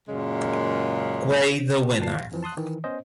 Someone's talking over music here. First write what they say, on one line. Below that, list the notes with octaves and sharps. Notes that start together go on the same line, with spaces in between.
Guay, the winner.
F#2 A#2 C#3 G#3
D2 A#2 A5 C7
F5
F2 E3 F3
A5 C6 D#6 F#6
D#3 E3
B3 C#4 C5 D#5